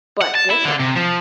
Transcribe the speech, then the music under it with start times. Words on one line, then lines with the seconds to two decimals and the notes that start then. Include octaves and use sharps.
But different.
0.22 F#5
0.35 A5
0.51 E4
0.65 D3
0.79 C3
0.95 F3